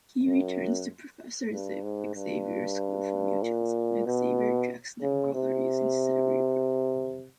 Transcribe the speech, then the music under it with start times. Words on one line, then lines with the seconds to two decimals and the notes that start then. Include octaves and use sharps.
He returns to Professor Xavier's school for mutants, and Xavier tracks Nightcrawler using Cerebro.
0.23 F#2
1.51 G2
1.83 G#2
2.15 G2
3.42 A#2
4.06 B2
5.01 C#3
5.34 C3